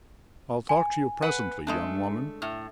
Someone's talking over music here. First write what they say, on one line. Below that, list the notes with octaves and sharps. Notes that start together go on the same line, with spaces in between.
I'll talk to you presently, young woman.
G#5
B4 F#5
G#3 A3 D4
A2